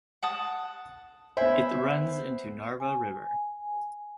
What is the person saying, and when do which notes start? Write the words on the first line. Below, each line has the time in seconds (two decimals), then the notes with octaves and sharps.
It runs into Narva River.
0.22 F#5 A5 D#6
1.37 B3 E4 C5 E5 G#5
2.80 G#5